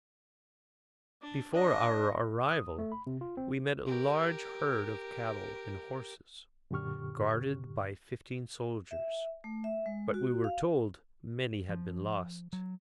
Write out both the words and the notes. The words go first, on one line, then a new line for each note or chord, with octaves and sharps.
Before our arrival we met a large herd of cattle and horses, guarded by fifteen soldiers; but we were told many had been lost.
D4
D4 D#5
D#6
A3
B5
C3
F4
C4
G4 A#4
F#2 A#2 D3 G4 C#6 F6
E5
A3
E5
G#3
F#4
F5
F3
F#3